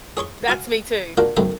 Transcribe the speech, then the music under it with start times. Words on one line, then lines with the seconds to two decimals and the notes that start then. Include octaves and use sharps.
That's me too.
0.17 G#4 C#5 C6 C#6
0.48 F#4 F5 G#5
1.17 A#3 D4 F4 F#4 A#4
1.37 B1 F#2 D#3 A3 C5 B5